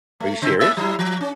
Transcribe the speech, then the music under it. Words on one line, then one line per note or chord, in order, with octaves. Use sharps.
Are you serious?
A3
C#3 C4
A2 A#3 E5
F#3 G3 E4
F3
C#4